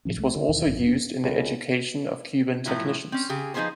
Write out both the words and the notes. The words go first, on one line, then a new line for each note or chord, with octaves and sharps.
It was also used in the education of Cuban technicians.
A2 E3 F3 C#4
C2 F3 A3
D3
D#2 B2 D#3 E3
G#1 F#2
F1 C4 D4
C#2
A2 F3 F#3 E4
C4 C#4
C#3 G4 G#4
F3 D#4 E4 G#4 B4 C5